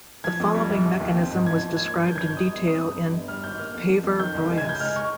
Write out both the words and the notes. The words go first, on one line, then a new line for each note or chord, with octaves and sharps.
The following mechanism was described in detail in "Papaver rhoeas".
F3 G#6
F2
G3
A#1
F3
D#2
C4
G#2
F3 G#6
G#1
A#3 G#6
G2
F3 G6
G#6
G#1 G6
G3 D#6
G1
C4 D#6
G2
G3
G1
G3 F6
G#1 G6
A#3 F6
F2
F3
F2
D#3 G6
C2
G#3
G#6
C#2 G6
G#3 F6
C#6